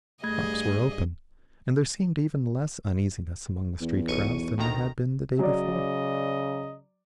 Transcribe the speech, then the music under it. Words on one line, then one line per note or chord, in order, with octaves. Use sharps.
Shops were open, and there seemed even less uneasiness among the street crowds than there had been the day before.
G2 A3 G#4 D#5 G#6
E2
B1 C#6 D#7
D2 D#3 A#5
C#3 F#3 D5 D#5